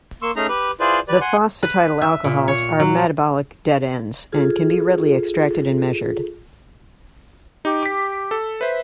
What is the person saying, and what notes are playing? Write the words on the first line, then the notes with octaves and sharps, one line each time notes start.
The phosphatidyl alcohols are metabolic dead-ends, and can be readily extracted and measured.
A#3 C6 C#6 E6
A3 C#4 D#4 G#4 A#5
G4 B4
E4 F4 G#4 B4 C5 D5
G4 B4 D5
F#5 G#5 C6
B4
E5
A#2
C#5
F#3
F4 G#4 A4
D#4 G4
D6 B6
A4
B4 C5 E5